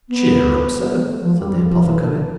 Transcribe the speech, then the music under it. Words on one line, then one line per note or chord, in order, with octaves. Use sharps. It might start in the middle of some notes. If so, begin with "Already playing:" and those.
'Cheer up, sir!' said the apothecary.
B3
A3
F3
G3
F3
F3
E3
D3